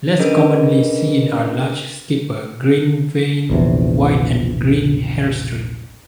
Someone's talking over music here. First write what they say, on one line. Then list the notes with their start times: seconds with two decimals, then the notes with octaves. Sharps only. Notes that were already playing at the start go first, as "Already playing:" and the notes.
Less commonly seen are large skipper, green-veined white and green hairstreak.
0.19 C#4 D4 G#4 A#4 B4 D#5
3.50 A#1 E2 C3